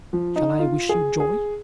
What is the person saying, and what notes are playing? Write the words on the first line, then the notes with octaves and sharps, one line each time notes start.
"Shall I wish you joy?"
F3
D#4
F4
G#4
G#4